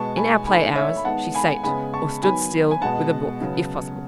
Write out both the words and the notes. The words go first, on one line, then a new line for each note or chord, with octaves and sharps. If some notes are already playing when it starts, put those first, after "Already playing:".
In our play hours she sate, or stood still, with a book, if possible.
Already playing: B2 G#3 B3 A5 C#6
G#5 B5
D#3 A3 G#5 B5
C#5 E5
B5
D#3 G#3 B3 F#5 A5
G#5 B5
C#3 G#3 B3 G#5 B5
A5 C#6
D#3 F#3 B3 G#5 B5
G#5
B2 G#3 B3 F#5 A5
C#3 F#3 B3